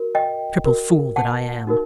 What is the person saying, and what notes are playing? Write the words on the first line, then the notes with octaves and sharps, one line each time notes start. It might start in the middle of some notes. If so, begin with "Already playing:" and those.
Triple fool that I am!
Already playing: F#4 A#4
D#5 G5
F#4 A#4
F#5 A5
D#4 F#4 A#4